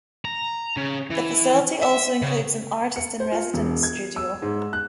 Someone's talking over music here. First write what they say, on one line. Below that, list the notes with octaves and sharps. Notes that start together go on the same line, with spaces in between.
The facility also includes an artist-in-residence studio.
A#5
C#3
E3
E5
C#3
C#7
C5
F4
E1
G#6
E6
G#2
F#6